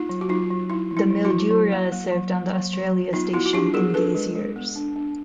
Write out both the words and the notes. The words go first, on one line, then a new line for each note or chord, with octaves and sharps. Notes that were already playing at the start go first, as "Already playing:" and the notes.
The "Mildura" served on the Australia Station in these years.
Already playing: A#3 D#4 F4
F#3
F#4
F#3 D#4 F4
F#3
D#4 E4
F#3
E4
F#3
E4 F#4
F#3
F#3
A#3
A#3
F#3
A#3
F#3
F#3
F#3
B3 D#4 F4
B3 E4 F#4
F#4
D4 F4 G4
B3 G#4 A#4
D4 A4 B4
G#3
G#3
B3
D4
D4